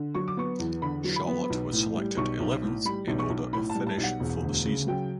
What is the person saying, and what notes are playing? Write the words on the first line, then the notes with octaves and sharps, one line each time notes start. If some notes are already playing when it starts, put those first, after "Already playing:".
Charlotte was selected eleventh in order of finish for the season.
Already playing: D3
F#3 C#6
D6
B3 C#6
E2
D3 B5
F#3
B5
B3
B1
A2
G3
B1 C#6
B1
A2
G3 B5
B1
C#6
B1
A2 B5
A5
G3
A5
B1
F#5
E1
D2
C#3
F#3 G5